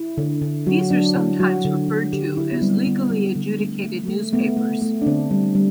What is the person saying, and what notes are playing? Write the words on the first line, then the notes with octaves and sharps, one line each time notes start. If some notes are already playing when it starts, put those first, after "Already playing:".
These are sometimes referred to as "legally adjudicated newspapers".
Already playing: E4
D3
D3
F#3 F#4
F#3 D4
D3 E4
F#3 F#4
D3
D3
D3 G4
D3 E4
B3
G3 C4
D3 B3
G3
D3
A3
A3
A3
A3 B3
A3
A3
D4
D3 C4
G3
G3